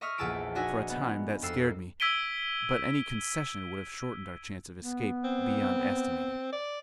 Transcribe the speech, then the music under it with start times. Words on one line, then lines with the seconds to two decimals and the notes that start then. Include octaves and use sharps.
For a time that scared me; but any concession would have shortened our chance of escape beyond estimating.
0.01 D#5 E5 C#6 D#6 F6
0.18 A#1 E2 G#4 A5 E6 D7
0.55 D4 D#4 F#4 D#5 E5 G#5
0.90 B3
1.42 F2 A4 E6 C7 E7
2.00 E6 G#6 B6 D7 D#7 G7
4.80 B3
5.24 C4
6.53 D5